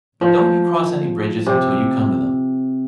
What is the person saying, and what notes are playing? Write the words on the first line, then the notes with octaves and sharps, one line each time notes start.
But don't you cross any bridges until you come to them.
F3
C3